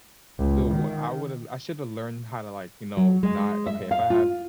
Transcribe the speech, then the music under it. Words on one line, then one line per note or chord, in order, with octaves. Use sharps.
the w I would've I shoulda learned how to, like, you know, not okay, if I have
C#2
D#3
F#3
G#3
E5
F5
F4